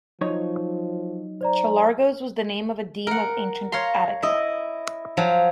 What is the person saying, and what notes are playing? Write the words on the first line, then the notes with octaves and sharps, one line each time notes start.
Cholargos was the name of a deme of ancient Attica.
F3 F#3 D#4 C#5
C5 D5 A#5
A#4 F#5
C#5 F5 A#5 C6
E4 D#5
F3 F#3